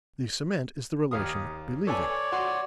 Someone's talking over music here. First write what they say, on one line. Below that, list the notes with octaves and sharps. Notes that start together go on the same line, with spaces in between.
The cement is the relation 'believing'.
D#2 F5 D#6
A4 B4 C#5 D5 G#5
F#4 C6